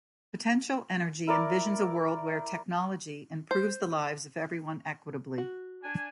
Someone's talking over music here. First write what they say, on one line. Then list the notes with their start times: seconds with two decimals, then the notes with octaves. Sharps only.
Potential Energy envisions a world where technology improves the lives of everyone equitably.
1.27 E4 A#4 D5
3.51 C5
5.38 F#4
5.83 D4 G#5